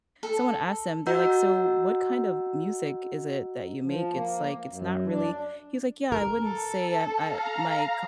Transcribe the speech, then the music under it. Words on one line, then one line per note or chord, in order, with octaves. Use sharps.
someone asked him, they're like, "So what kind of music is it that you make? It's like it's not really" He was like, "Yeah, I wouldn't say, uh, uh, my
A4
F#4 D#5 F#5 A#5 E6 G6
F3
A#3
F#2
D4
A#4
A4
F5 A#5